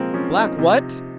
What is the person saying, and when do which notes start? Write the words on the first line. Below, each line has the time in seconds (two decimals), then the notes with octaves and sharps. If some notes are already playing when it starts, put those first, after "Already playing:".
"Black what?"
Already playing: A#2 F3 G#3 A#3 C4
0.14 F3 C#4
0.35 D#4
0.59 C3